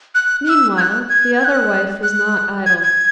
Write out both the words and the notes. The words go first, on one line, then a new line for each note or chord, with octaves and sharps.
Meanwhile the other wife was not idle.
F#6
F#6
E6
G#6
F#6
G#6
G#6
F#6
F#6
G#6
G#6